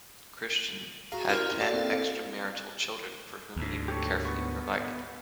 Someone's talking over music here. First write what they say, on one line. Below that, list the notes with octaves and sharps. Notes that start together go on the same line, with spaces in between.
Christian had ten extramarital children, for whom he carefully provided.
F#4 G#4 F5 A#5
C#4 E4 G4 A#4 C5
D4 F#4 A4 F5
A#3 C4 E4
D2 G#2
G4 A4 C#5
B3 C#6